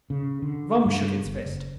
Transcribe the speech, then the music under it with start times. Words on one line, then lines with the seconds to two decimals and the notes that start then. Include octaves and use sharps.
Rum shook its fist.
0.10 C#3
0.42 D3
0.85 G2
1.23 G1
1.44 F#1